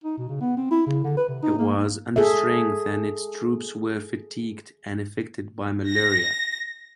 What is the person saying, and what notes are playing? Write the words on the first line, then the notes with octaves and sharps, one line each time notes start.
It was understrength and its troops were fatigued and affected by malaria.
D#4
B2
C#3
B3
C4
E4
C#3
D3
B4
C3
D#4
A#3
G#4 A4 E5
A#6